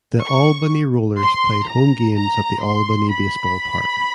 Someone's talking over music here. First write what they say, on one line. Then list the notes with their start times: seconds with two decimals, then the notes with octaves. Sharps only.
The Albany Rollers played home games at the Albany Base Ball Park.
0.24 C#6
1.20 C6
1.68 A#5
2.15 A#5
2.62 C6
3.10 B5